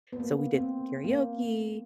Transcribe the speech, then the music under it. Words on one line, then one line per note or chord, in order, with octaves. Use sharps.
So, we did the karaoke,
B3
A#3
C4
A#3